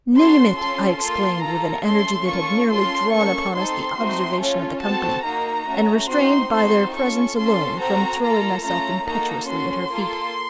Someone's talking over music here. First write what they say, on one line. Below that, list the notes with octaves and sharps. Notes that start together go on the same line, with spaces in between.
"Name it!" I exclaimed with an energy that had nearly drawn upon us the observation of the company, and restrained by their presence alone from throwing myself impetuously at her feet.
C#4 F#4 A4 C6
C#4 F4 A4 C6
A#3 F4 A4 C6
A#3 F4 A4 A#5
A3 C#4 A4 C6
A#3 C#4 F4 A4 C#6
C#4 F4 A4 C6
A#3 C#4 A4 C#6
C4 D#4 A4 C6
A3 C4 D#4 F#4
C#4 F4 A4 C#5
C4 F#4 A4 A5
A#3 D#4 F#4 A#5
A3 C#4 F#4
C4 D#4 F#4 C6
C4 D#4 F#4 A4 C6
C#4 F4 A4 C#6
C#4 F4 A4 C6
C4 F#4 A4 A#5
A#3 F4 A4 A#5
A3 C#4 F4 A4 A#5
A#3 D#4 F#4 A4 A#5
C#4 F#4 A4 C6
A#3 F4 A4